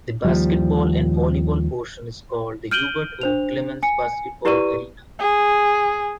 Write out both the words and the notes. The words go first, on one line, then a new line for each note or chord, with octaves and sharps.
The basketball and volleyball portion is called the Hubert O. Clemmons Basketball Arena.
D#2 F3 G3
F6 G6 D7 D#7 F#7 G7
D4 C5 F7
G#5 C#7
E4 G4 B4 D5 C#6 D#7
G#4